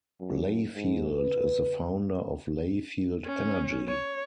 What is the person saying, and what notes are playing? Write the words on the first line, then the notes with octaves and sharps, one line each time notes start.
Layfield is the founder of Layfield Energy.
F#2
G#2
B4
C#4
C#5